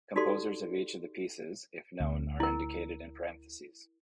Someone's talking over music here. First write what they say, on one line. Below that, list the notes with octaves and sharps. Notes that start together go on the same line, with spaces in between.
Composers of each of the pieces, if known, are indicated in parentheses.
D#4 F#4 G4 A4 D5 C6
D2
E4 A#4